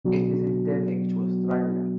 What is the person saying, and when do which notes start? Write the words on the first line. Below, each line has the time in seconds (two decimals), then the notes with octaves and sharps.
It is endemic to Australia.
0.04 B2 F#3 B3 D4 F#4